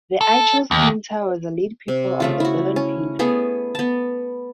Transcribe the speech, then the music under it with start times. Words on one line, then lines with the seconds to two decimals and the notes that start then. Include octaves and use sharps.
The Achilles Painter was a late pupil of the Berlin Painter.
0.21 A4
0.71 D#2
1.88 C3
2.20 C#3 A3 F4
2.40 E4 F#4
2.76 C#4
3.19 A3 B3 G#4
3.75 B3 A5